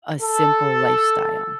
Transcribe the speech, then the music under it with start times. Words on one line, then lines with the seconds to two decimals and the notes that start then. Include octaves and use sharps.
a simple lifestyle.
0.22 A4